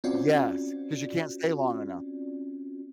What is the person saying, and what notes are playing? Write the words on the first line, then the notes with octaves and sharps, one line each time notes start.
Yes, 'cause you can't stay long enough.
C4 C#4 F4 F#4 D5